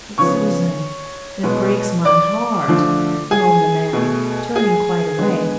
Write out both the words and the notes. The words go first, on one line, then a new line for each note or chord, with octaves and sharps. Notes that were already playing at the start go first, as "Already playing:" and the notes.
"But, Susan, it breaks my heart," moaned the man, turning quite away.
C#3 F3 B3 C#5 C#6
B2 G#3 B3
D5 D6
D3 F3 A3
G#4 G#5
B2 A3
G#4 G#5
D3 G#3 B3